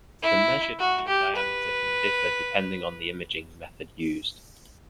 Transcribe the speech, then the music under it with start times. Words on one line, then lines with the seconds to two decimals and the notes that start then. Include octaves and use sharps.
The measured mean diameter can differ depending on the imaging method used.
0.23 E4
0.79 F#4
1.08 G4
1.36 B4